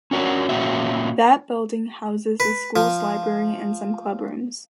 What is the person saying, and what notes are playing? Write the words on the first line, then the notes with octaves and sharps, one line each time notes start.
That building houses the school's library and some club rooms.
C#4 D4 F#4 A#4 C#5
A#2 F#3 A#3 C#4 F#4 E5
B4
F3